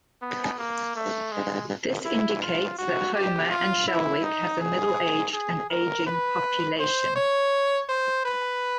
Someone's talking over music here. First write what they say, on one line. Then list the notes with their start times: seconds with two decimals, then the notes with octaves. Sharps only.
This indicates that Holmer and Shelwick has a middle-aged and ageing population.
0.22 B3
0.59 A#3
0.96 A3
1.32 G#3
2.05 E4
2.42 F4
2.78 F#4
3.15 G4
3.51 F4
3.88 E4
4.24 D#4
4.60 G#4
5.33 G#4
5.70 A#4
6.07 B4
6.79 C5
7.16 C#5
7.89 C5
8.25 B4